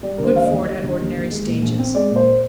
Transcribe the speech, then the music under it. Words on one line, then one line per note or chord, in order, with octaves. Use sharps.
Good ford at ordinary stages.
G3 D5
D3 A#4
C5
D#2 F5
D#2 D#5
G3 D#5
D3
D#2
D#2
G#3
A#2
A#1
C4
G#3 D5
A#2
C5